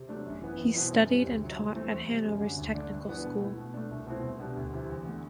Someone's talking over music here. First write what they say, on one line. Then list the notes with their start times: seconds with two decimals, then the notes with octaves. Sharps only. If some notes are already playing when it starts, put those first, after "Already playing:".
He studied and taught at Hanover's technical school.
Already playing: C3
0.09 F#3 A3 D4
0.26 F#2
0.41 E3 B3 E4
0.59 E2
0.75 B2 F#3 C4 E4
0.92 F#2
1.08 E3 G3 C4
1.25 D2
1.41 C3 F#3
1.58 G2
1.74 E3 A3 C4
1.91 E2
2.08 C3 G3
2.24 F#2
2.41 D3 F#3
2.57 D2
2.74 D3 A3 D4
2.91 G2
3.07 E3 B3 D4
3.24 B2
3.41 A3 E4
3.57 B2
3.74 A3 D4
3.90 C2
4.07 B2 A3 C4 E4
4.23 C2
4.39 B2 G3 D4
4.57 D2
4.73 C3 E3
4.90 E2
5.06 D3 A3